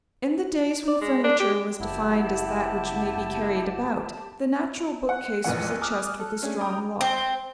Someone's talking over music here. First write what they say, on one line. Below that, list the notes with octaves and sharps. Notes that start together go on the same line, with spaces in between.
In the days when furniture was defined as "that which may be carried about," the natural bookcase was a chest with a strong lock.
D5
G#3
D4
G4
F#1 E4 G4 F#5 A5
F#5
A#1 F2 A#2 E3 F#5
G#5 D6 D#6 F6 F#6
A4
A3 C#4 D4 G#4
G5 A#5 D#6
C4